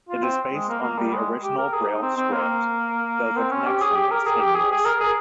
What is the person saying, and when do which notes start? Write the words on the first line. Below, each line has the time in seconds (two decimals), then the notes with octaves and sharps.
It is based on the original braille script, though the connection is tenuous.
0.09 F4
0.23 C4
0.54 G#3
0.68 A#3
0.83 A#3
0.98 G3
1.13 G#3
1.43 G4
1.57 A#4
1.73 G#4
1.87 D#4
2.02 C4
2.17 C4
2.32 A#3
3.37 C4
3.51 C#4
3.67 G4
3.81 G#4
3.96 G4
4.11 A#4
4.26 G#4
4.40 G4
4.55 G#4
4.71 G#4
4.85 A#4
5.00 G#4